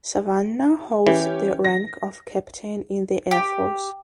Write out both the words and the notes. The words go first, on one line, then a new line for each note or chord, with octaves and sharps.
Savannah holds the rank of captain in the Air Force.
E3 C#4 G4
A#6
G4